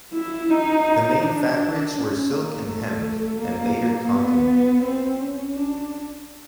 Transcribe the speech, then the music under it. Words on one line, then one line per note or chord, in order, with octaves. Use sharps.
The main fabrics were silk and hemp, and later cotton.
E4
D#4
D4
C#4
A#3
A3
A#3
B3
C4
C#4
D4